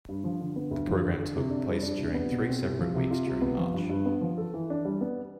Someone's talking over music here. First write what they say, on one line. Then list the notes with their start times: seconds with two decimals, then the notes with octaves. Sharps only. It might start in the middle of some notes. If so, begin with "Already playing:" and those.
The program took place during three separate weeks during March.
0.08 G2
0.24 F3
0.40 D3
0.56 B3
0.71 D2
0.87 F3
1.04 D3
1.20 A4
1.36 C3
1.51 D4
1.68 G3
1.83 D4
1.98 C2
2.14 B3
2.31 B2
2.47 C4
2.62 C2
2.79 F3
2.94 C3
3.11 F4
3.26 C3
3.42 B3
3.58 F3
3.74 G2
3.89 G2
4.06 B3
4.21 F3
4.38 A4
4.54 E3
4.70 D4
4.85 G3
5.01 B3